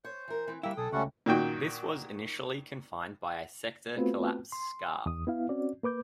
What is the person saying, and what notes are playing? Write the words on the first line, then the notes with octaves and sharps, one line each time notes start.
This was initially confined by a sector-collapse scar.
C5 C#5
E3 A#4
E3 C4
D3 G3 A#3 E4 E5 G5
B1 G#4 A4 D#6
C#2 G3 A3 C#4 F#4 A4 F#5
A#2 D#3 F#4 G5
A3 B3 C4 F4 F#4 B4
C6
E2 D#6
B3 E4 F5
C4 C#4 F#4 D5
A#3 B4 D6 G6